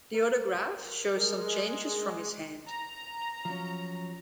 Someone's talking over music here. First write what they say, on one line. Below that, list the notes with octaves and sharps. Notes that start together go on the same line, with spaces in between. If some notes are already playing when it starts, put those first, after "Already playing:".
The autograph shows some changes from his hand.
A#4
G#3 G#4 A#4
A#5
F3 F#3 C#4